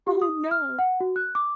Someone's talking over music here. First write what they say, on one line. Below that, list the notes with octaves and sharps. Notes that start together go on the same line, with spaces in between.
Oh, no.
G4
D#6
F6
F#5
F#4
F#6
D6